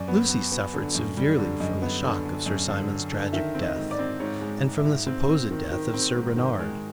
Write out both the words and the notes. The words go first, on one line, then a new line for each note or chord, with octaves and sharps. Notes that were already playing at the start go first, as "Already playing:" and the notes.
Lucy suffered severely from the shock of Sir Simon's tragic death, and from the supposed death of Sir Bernard.
Already playing: F#2 D5
B3
B3
B3
D3
F#2
G3
D3
F#2 D#5
B3
D3
D3
F#2
D3
D3
D3
D#3 E5
C4
D#5
G#2
D5
C4
G#2 C#5
G#3
G#2
E5
G#2
C4
C4
D#3
D#3
C4
G#2
D#3
G#3